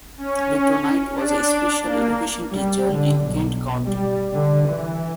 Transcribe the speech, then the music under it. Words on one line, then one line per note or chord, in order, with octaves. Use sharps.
Victor Knight was a special education teacher in Kent County.
C#4
D4
A#3
G3
D3
B1
G3
D3
E3